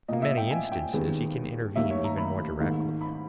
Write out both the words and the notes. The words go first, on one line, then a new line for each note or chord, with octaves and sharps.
In many instances, he can intervene even more directly.
A#2 A#3 D#5
E5
G5
G#5
G5
D#2 D#3 G#3 B3
D#2 D#3 A#3 E5
C#5
A#5
B5
G#2 D#3 A#3
B5